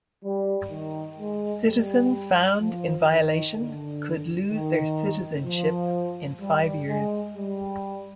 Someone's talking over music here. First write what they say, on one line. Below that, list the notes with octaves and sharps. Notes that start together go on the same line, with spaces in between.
Citizens found in violation could lose their citizenship in five years.
G3
D#3
G#3
G3
F3
D#3
D3
D#3
F3
G3
G#3
G3